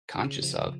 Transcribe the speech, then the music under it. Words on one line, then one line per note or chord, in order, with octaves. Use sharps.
conscious of.
C#3
F3